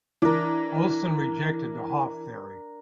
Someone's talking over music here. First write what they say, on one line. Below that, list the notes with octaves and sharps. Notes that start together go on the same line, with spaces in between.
Olsen rejected the hof theory.
E3 D4 A#4